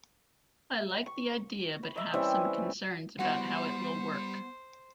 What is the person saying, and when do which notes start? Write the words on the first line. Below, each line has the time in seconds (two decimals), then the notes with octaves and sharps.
I like the idea but have some concerns about how it will work.
1.06 C#6
1.83 B5
1.96 D#5 E5
2.14 E3 G3 C4 C#4
3.19 G3 B3 E4 F#4 C5 F#5